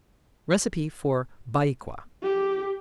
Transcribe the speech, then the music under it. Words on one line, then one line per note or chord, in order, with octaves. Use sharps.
Recipe for Baikwa.
G4